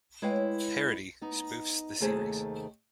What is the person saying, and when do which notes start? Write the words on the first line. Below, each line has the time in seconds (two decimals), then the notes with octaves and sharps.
Parody, spoofs the series.
0.22 G#3 E4 B4 C#5 F5 G5
1.22 B3 D#4
2.00 D#2 C3 D#3 A3 G#4 C5